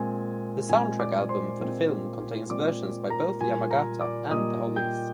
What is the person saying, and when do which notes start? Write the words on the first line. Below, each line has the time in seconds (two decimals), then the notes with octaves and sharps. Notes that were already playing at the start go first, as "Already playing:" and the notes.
The soundtrack album for the film contains versions by both Yamagata and the Hollies.
Already playing: A#2 G#3 C4 G#5
0.69 A#2 G#3 C4 G#5
0.99 D5 D6
1.29 C5 C6
1.59 A#2 G#3 C4
2.50 A#2 G#3 C4 D5 D6
3.10 A#4 A#5
3.41 A#2 G3 A#3 G#5
3.70 A#4 A#5
4.01 D5 D6
4.31 A#2 G3 A#3 D#5 D#6
4.76 G5 G6